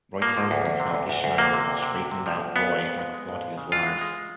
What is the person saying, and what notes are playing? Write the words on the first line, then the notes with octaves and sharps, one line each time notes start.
Roy tells them how Ishmael straightened out Roy and Claudia's lives.
F3 A#3
F3
D2
D2
C3
D2
D2
D2
C3 A#3
C3
D2
C3
D2
C3
F3
D2
F2 B3
G#3
F2
G#3
G#3
F2
G#3
C#3
E3 F4
G#3
G#3